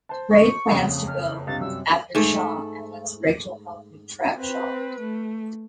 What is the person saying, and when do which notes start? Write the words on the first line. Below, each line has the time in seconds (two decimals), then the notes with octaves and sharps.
Ray plans to go after Shah and lets Rachel help him trap Shah.
0.09 C5 A5
0.30 C#6
0.69 F#1 F2 C#3
1.07 F6
1.47 C#2 G2 C3 A6
1.61 F#2 C3 G3 E6
2.15 G#2 A3
4.37 C4 B4
5.00 A3